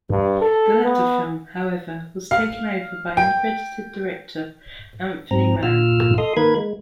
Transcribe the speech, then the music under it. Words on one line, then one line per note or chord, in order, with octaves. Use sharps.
The latter film, however, was taken over by uncredited director Anthony Mann.
G2
A4
B3
F5
G5
G#2 C4 A#5
A#2 F4 E6 F6
A4 D#5 C6 D#6
D#3 A#3 A#4 B4 B5 G#6
G#3